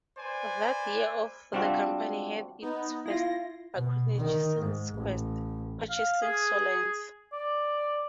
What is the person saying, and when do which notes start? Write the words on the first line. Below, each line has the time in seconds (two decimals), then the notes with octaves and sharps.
That year the company had its first acquisition since Quest, purchasing Soliance.
0.18 B4 C5 D5 G#5
1.53 G3 C4 D4 F4 F#4
2.62 B3 D#4
3.06 E4 F4 A#6
3.76 B2
4.18 D#3
4.60 G#2
4.96 A1
5.89 F5
6.22 G#4
7.32 D5